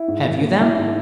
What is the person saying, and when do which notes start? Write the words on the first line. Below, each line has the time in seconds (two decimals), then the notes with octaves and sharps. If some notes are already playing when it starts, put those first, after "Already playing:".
"Have you them?"
Already playing: E4
0.08 G#2
0.25 D#3
0.42 A#3
0.60 E4
0.77 G#2